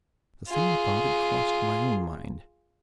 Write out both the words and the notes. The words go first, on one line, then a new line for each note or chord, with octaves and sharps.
The same thought had crossed my own mind.
F4 G#4